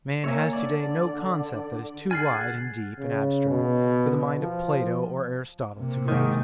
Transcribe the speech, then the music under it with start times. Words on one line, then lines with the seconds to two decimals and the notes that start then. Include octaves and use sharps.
Man has to-day no concept that is too wide and deep and abstract for the mind of Plato or Aristotle to grasp.
0.24 A#3 C#5 E5 G#5
0.53 D3 D5
2.11 G#4 F#5 G#5 F6 A6 C7
2.98 C#3
3.49 B2
4.40 F3
5.78 C3 A#3
6.08 G#2 D#3